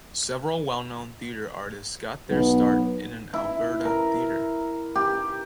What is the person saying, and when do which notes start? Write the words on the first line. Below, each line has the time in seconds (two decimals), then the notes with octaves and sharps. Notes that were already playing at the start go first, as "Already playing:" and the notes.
Several well-known theatre artists got their start in an Alberta theatre.
2.30 B1 B3
3.33 E4
3.85 A#4
4.95 G4